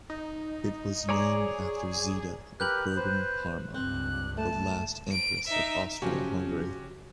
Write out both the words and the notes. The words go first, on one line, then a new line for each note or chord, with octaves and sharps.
It was named after Zita of Bourbon-Parma, the last empress of Austria-Hungary.
D#4
G#4 C#5 D5 A#5
G4 A#4 B4 F#6 G6 F#7
B4 C5
C#2 G2 C4 F#6
A3 A5
D7
D#4 E5
C#3 F3 F#3 C#4 F#4 G4